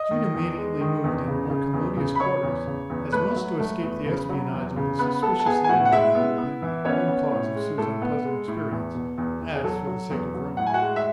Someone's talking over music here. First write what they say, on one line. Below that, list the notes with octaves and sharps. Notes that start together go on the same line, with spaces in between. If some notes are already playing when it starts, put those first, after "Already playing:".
Jude immediately moved into more commodious quarters, as much to escape the espionage of the suspicious landlady who had been one cause of Sue's unpleasant experience as for the sake of room.
Already playing: D#5 D#6
D#3
E2
G#3
D#3
E2
C#3
C#3
E2
C#3
B5
C#3 C#5 C#6
E2
C#3
E2
A3 B4 B5
F#3
A3
E2
C#3
F#3
E2
C#3
B3 B4 B5
B3 A4 A5
A5
B3 G#4 G#5
G#5
A2 F#4 F#5
F#5
G#3 E4 E5
B3
B3
E3
B3 C#4 C#5
B3
A2
G#3
A2 A4
B3
G#3
A2
E2
B2
E2
E2
G#4
F#3 A4
F#3
E2
F#3
A2 F#5
G#5
F#4 F#5
G#3
E5